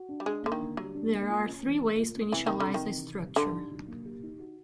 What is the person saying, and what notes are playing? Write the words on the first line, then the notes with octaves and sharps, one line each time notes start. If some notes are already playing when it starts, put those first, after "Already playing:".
There are three ways to initialize a structure.
Already playing: F#4
D4
G3
G#3 D4
D3 A#3
D#3
D3
F#3 G3
D4
A#3
F4
C#4
E3
G#3
F4
C#4
C3 E3
D#3 G3
D3
C3
D#3
E3
C3
G3
D3 G4
D#4
F#3
A#3
G4
D#4
F#4